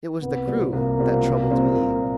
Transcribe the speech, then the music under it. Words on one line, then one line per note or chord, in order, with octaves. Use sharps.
It was the crew that troubled me.
C2 B3
B2 G3 C4 F4
C2 A#3
B2 G3 C4 F4
C2
A#2 G3 C4 F4
C2
A#2